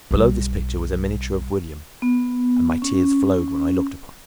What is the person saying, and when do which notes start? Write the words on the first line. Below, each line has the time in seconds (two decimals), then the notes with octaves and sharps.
Below this picture was a miniature of William; and my tears flowed when I looked upon it.
0.11 B1 G3
2.02 B3
2.82 C#4